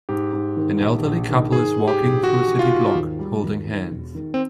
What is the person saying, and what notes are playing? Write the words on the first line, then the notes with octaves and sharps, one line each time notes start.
An elderly couple is walking through a city block, holding hands.
G#2 G4
G#2
D#3
A#1
A#1
D#3
G#2 G#4
G#2
G4
A#1
D#3 F#4
D#3
F4
G#2
D#2
G3
D#2
D#3
E1
D#3
C4